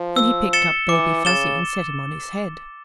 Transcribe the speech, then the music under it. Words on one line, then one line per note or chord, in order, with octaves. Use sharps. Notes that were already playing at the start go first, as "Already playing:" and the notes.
Then he picked up Baby Fuzzy and set him on his head.
Already playing: F3
E6
A6 C#7 E7 G7
E3 D6
C#3 A6 E7 G7